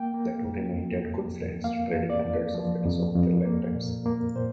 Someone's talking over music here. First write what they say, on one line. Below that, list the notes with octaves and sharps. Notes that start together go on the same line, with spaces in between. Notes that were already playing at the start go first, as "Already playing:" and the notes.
The two remained good friends, trading hundreds of letters over their lifetimes.
Already playing: A#3 G5
A#3
F2
F2
F2
F2
A#3 F5
F2
D5
F2
F3
F2
F2
A#3
A#2
A#3
A#2 C5